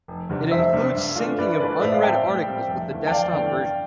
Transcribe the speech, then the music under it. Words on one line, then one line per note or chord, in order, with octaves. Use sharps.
It includes syncing of unread articles with the desktop version.
F1
E2 C3 G3 D4
F1 C5 E5
E2 C3 G3 D4
G2
E3 A3 D4 F4
G2 B4 D5
E3 A3 D4 F4 B4 D5
A2 C5 E5
D5 F5
G3 C4 E5 G5
A2
G3 C4
F1
E2 D3 A3 E4
G5
F1 D5 F5
E2 D3 A3 E4
G2